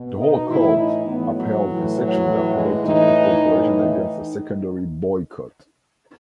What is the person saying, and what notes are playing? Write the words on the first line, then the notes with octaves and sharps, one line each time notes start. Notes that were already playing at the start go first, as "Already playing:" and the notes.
The whole Court upheld a section that protected a corporation against a secondary boycott.
Already playing: B2
D#4
A2 E3 E4
D#4
A2 E3 B3
F#3
A2 E3
F#3
A2 E3
G#3
A2 E3 D#4
A2 E3
D#4